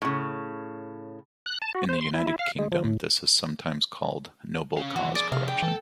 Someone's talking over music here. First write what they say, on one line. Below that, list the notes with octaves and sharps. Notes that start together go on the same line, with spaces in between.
In the United Kingdom, this is sometimes called 'Noble Cause Corruption'.
A2 C#3
F#6
A5
F#4
C5
C6
E4
E4
F5
G#3
F3
A2
C#4 F5
E3 F#4
D4 G#4 D5
C3 F5
G5
E3 A4